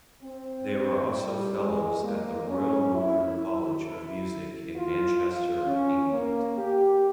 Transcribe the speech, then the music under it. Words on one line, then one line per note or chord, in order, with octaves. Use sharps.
They were also Fellows at the Royal Northern College of Music in Manchester, England.
C4
G3
G#3
A#3
C#4
E4
E4
F4
F4
C#4
A#3
G4